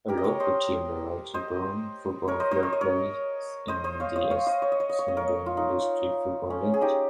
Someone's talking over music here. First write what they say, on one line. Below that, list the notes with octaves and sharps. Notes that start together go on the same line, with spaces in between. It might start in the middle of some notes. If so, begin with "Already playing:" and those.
A local team, the Craigieburn Football Club plays in the Essendon District Football League.
G4 A#4
D#5
A#4 C#5
C5 D#5
C5 D#5
A#4 C#5
C5 D#5
C5 D#5
C#5
D#5
A#4 C#5
C5 D#5
C5 D#5
C#5 F5
C5 D#5
C#5 F5
C5 D#5
C#5
D#5
C#5
D#5
C#5
D#5
A#4 C#5
F4
D#4
C#4
G#4
D#4 G4